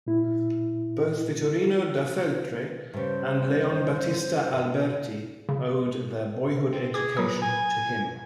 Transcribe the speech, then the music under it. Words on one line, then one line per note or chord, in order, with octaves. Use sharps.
Both Vittorino da Feltre and Leon Battista Alberti owed their boyhood education to him.
A#2 E4
G2 C#3 C5
C#3
C4
G#4 D6 G#6
F#3 B4 D#6
G#5